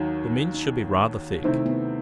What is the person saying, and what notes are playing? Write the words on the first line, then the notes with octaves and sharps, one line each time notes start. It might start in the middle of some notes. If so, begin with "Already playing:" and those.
The mince should be rather thick.
Already playing: D#2 D#3 F#3 D#4
D#4
C3 D#3 A3 C4 D#4 E4
B3